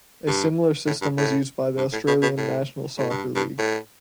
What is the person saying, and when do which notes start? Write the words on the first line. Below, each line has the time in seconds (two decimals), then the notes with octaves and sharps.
A similar system was used by the Australian National Soccer League.
0.27 G2
0.87 A2
1.02 G2
1.18 A2
1.77 G2
1.93 A2
2.07 B2
2.22 B2
2.38 A2
2.97 A2
3.10 G2
3.36 G2
3.58 A2